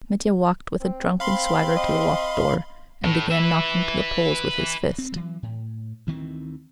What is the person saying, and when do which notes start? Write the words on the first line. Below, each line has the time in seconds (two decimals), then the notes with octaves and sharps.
Mitya walked with a drunken swagger to the locked door, and began knocking to the Poles with his fist.
0.80 C4
1.20 C4 F5 B5 C6
1.77 D#5
3.04 A2
3.31 B4 E5
4.98 C4
5.12 E3 F#3
5.43 A2
6.07 D2 D#3 E3 C4